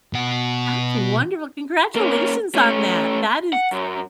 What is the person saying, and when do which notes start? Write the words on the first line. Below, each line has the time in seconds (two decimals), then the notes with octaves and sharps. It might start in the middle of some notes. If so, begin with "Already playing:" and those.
That's wonderful. Congratulations on that. That is
0.13 B2 F#5
1.96 A#3 C#4
2.55 A3 C#4
3.53 F#5
3.72 F#2